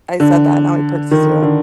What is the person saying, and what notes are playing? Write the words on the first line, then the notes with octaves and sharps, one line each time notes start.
I said that, now he perks his ear up-
D3
D#3
D3